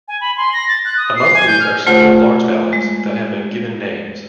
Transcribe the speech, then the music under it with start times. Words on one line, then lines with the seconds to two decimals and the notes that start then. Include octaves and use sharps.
Among these are several large valleys that have been given names.
0.08 G#5
0.21 B5
0.37 C6
0.53 A#6
0.68 A6
0.85 F#6
0.98 D#6
1.16 C7
1.34 G#5
1.47 G6
1.60 F6
1.87 A3 F4 C5 F#5
2.73 G#3